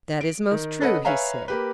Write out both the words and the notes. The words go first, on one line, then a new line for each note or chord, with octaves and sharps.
That is most true, he said.
D7
D#3
C#4 A4 B4 D#5 F#5
B4 C#5 E5 F5 G#5 A#5
A#3 G4 B4